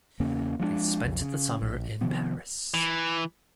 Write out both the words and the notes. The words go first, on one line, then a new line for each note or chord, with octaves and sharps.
They spent the summer in Paris.
E2 C#3 A#3 C#4
F3 G#3 A#3 D4
B1 F2
C#3
A#1
C3 D#3 F3 B3
E3